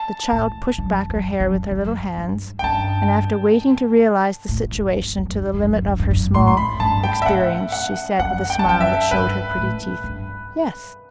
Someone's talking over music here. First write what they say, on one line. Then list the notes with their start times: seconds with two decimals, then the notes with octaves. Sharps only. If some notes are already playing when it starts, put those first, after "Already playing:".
The child pushed back her hair with her little hands, and after waiting to realise the situation to the limit of her small experience, she said, with a smile that showed her pretty teeth, "Yes."
Already playing: A5
0.32 A2
0.78 F#2
1.10 F#2
1.40 F#2
1.71 F#2
2.18 G2
2.59 G5
2.63 G2 A5
4.49 A2
4.72 G2
4.95 G2
5.18 F#2
5.30 G2
5.41 F#2
5.53 G2
5.64 F#2
5.76 G2
5.87 F#2
5.99 G2
6.11 F#2
6.34 A2 C6
6.48 C6
6.57 B5
6.80 G2 A5
7.04 G5
7.22 E5
7.26 A2 F#5
7.72 F#5
8.19 F#2 F#5
8.50 G5
8.59 A5
8.66 F#2 G5
8.81 E5
9.11 G2 B4
9.58 A2
10.04 G2